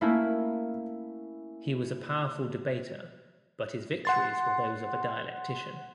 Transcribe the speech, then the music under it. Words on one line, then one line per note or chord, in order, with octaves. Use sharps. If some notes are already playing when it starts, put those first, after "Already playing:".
He was a powerful debater, but his victories were those of a dialectician.
A3 A#3 C#4 E4 A#4
F#5 C6 A6